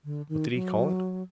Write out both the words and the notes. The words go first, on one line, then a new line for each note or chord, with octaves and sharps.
What did he call it?
D3
D#3
F#3